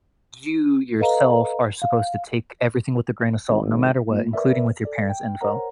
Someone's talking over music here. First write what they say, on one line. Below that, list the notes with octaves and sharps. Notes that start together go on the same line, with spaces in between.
you, yourself, are supposed to take everything with a grain of salt no matter what, including with your parents' info,
A4 B4 D#5 F5 A#5
F5
G#1
A3 A#3 F4
A#4 B4 D5 E5
A4 D5
G5
A#4 C5 C#5 F#5 A#5